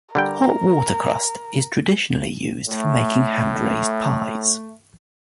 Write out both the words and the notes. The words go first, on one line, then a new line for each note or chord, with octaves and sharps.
Hot water crust is traditionally used for making hand-raised pies.
D3 G3 A#4 G5
A2 A3